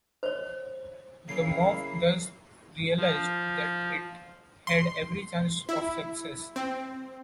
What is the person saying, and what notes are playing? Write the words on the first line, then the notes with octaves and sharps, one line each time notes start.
The mob thus realized that it had every chance of success.
C5 C#5
C#3 F#3 A#3 E4 C7
F3
C6
E4
C4